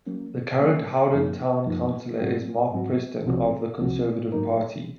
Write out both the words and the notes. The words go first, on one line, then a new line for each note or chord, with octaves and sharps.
The current Howden town councillor is Mark Preston, of the Conservative Party.
F#3 A#3 C#4
F#3 A#3 C#4
F#2 F3 A#3 D#4
F#2 F3 A#3 D#4
G#2 F#3 C4 F#4
G#2 F#3 C4 F#4
C2 C3 F3 C4 F#4
C2 C3 F3 C4 F#4
G#2 F#3 A#3 D#4 A#4